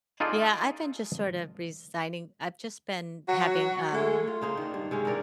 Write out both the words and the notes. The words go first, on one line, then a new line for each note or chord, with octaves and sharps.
Yeah, I've been just, sort of, resigning I've just been having, um
D#4 F4 G#4 A4 D5 D#5
F#3 F#4
G#3 A3
F4
C#3 D#4 C5
D#3 D4
G2
C3 G#3 C#4
D4 E4 A#4 D5